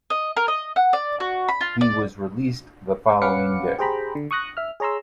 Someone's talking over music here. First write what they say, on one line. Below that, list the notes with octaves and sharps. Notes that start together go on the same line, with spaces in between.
He was released the following day.
D#5
A#4
D#5
F#5
D5
F#4
B5
F4
D5
C#4 B4 F5 F#5 D6 C#7
G4 G#4 C5 G5 A#5 B5
D3
C#6 D#6 F#6 A#6
E5 F6
G#4 C#5 A#5 C6 E6